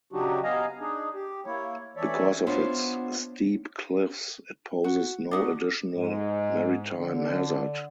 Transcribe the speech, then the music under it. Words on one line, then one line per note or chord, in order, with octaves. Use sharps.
Because of its steep cliffs, it poses no additional maritime hazard.
C#3 F#3 D4 D#4 F#4 G4
B3 D#5 F5 G#5 A#5
D4 D#4 G#4
G4
A#3 E4 C#5
E3 A4 C#5 D5 E5
B3 D4 F4 C5 C#5 E5
F#4
D4 D#4 F#4
G#2
D3